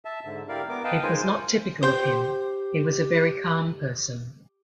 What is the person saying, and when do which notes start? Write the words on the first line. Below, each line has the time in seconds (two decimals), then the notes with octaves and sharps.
It was not typical of him, he was a very calm person.
0.05 E5 A5
0.25 G#2 D3
0.49 E4 G4 A#4 D5 F5
0.69 B3 A#4 D6
0.84 B4 D#5 F5 G5 A5
1.03 G#3 D#4 F4 A#4 C5 G#5
1.83 G4 C5 G5